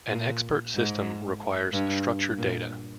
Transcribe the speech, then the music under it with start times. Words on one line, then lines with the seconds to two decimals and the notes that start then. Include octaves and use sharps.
An expert system requires structured data.
0.09 A#2
0.75 G#2
1.73 G2
2.38 A#2